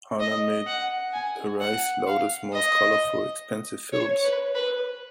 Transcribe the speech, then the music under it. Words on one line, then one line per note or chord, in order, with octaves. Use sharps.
Harlan made the Reich's loudest, most colorful and expensive films.
D#5
F#5
G#5
F#5
F5
D#5
C#5
B4
B4